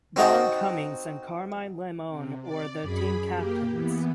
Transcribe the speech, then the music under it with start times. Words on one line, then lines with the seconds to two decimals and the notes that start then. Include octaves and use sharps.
Don Cummings and Carmine Limone were the team captains.
0.16 C4 D#4 F#4 D#5 G5 A5
2.07 C3
2.42 D5
2.82 F#2 G#4 B5
3.30 A#3 G4
3.70 E3 B3